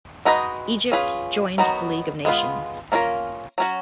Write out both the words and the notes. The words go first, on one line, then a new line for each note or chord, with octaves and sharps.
Egypt joined the League of Nations.
G#3 D#4 F#4 B4 D#5
C#4 F4 G#4 B4
D#3 F#3 B3 F#4
G#3 B3 F4 B4
A#3 C#4 F4 A#4
F#3 C#4 F#4